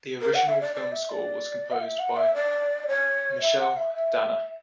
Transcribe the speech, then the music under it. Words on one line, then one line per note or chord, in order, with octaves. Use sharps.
The original film score was composed by Mychael Danna.
A#4
F#5
E5
D5
D5
E5
D5
F#5
E5
F#5
E5
D5
C#5
E5
F#5
E5
E5